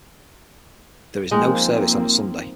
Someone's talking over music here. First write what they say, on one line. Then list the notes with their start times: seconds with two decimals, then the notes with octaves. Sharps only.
There is no service on a Sunday.
1.31 F3 G#3 A#3 C4 D#4